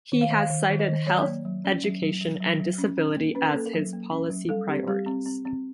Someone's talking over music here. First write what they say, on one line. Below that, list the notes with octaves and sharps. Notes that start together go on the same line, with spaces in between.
He has cited health, education and disability as his policy priorities.
D#3
F5
D#3 E5
F5
D#3
D#3
D#5
D#3
F#3 C#5
D5
A#3 C#5
F#3
C#4 D5
F#3
F#3
F#3
F#3
F#3
C#4
C#4
A#3
C#4 B4
A#4
A#3 A4
A#4
F#3
A#3
C#4
F#3
G3 A4
C4 G4
G3 G4
C4
C4
C4